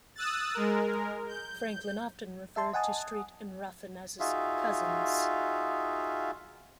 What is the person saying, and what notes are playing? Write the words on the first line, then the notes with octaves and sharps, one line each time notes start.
Franklin often referred to Street and Ruffin as his "cousins".
D#6 E6 F#6 A6
G#3 A#4
G6
E5 A5 C6
D#5 F#5 G#5 A5 D#6
D#4 F4 F#4 G#4 E5 F5